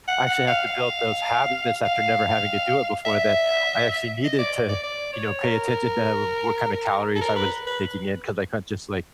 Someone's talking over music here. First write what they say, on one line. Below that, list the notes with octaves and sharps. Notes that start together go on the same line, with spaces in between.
actually have to build those habits after never having to do it before that I actually needed to, you know, pay attention to, uh, what kinda calories I was taking in, 'cause I couldn't just, like,
F#5
F#5
F5
F5
F5
E5
D#5
D5
D5
D5
C#5
A#4
A4
A#4
B4
B4